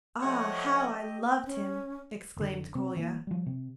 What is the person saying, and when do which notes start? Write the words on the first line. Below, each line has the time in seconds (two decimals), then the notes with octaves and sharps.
"Ah, how I loved him!" exclaimed Kolya.
0.22 F3 A3 G4 C#5 D#5 F#5
1.46 C#4
2.37 F1 D3
2.75 C3 C4
2.97 E3 A#3
3.27 F3 G3
3.46 C3